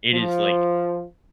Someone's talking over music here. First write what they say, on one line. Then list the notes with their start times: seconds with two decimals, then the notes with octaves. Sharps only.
it is, like,
0.14 F3